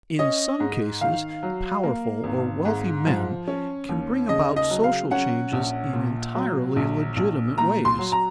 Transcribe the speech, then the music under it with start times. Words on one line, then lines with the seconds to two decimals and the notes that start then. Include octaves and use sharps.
In some cases powerful or wealthy men can bring about social changes in entirely legitimate ways.
0.19 C#4 D#5
0.60 G#2
1.01 D#3 F5
1.43 F#3
1.83 A#3
2.24 G#1
2.65 G#2
3.07 F3
3.48 C#4
3.89 D#2
4.29 C#3 D#5
4.56 D#5
4.70 F#3
4.84 F5
5.11 C#4 F#5
5.52 A#1
5.93 A#2
6.35 F#3
6.76 A#1
7.16 A#1
7.58 A#2 A#5
7.85 C6
7.99 F#3
8.12 A#5